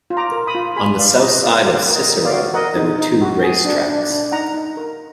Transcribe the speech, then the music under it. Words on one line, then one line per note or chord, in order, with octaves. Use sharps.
On the south side of Cicero, there were two racetracks.
F4
A#5 D6
A#4
B5 D#6
F4
G#4 G#5 B5
B4 D5 F5
F4 D#5
F4 D5 F5
F#5
F#4 D5 F5
A#4
D#5
A#4
D5 F5
F#4
A#4 D#5 F#5
D#4
D#4
F#4
G#4
D4
D4
D4
D#4 F#5 A#5
D#4
A#4